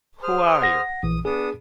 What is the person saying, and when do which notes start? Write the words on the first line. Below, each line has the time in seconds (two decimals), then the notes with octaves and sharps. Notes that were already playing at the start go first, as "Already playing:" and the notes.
Who Are You?
0.23 G#4 C5 F6
0.62 F#5 A#6
1.03 A#1 E3 D#6
1.25 B3 D4 G#4 D#6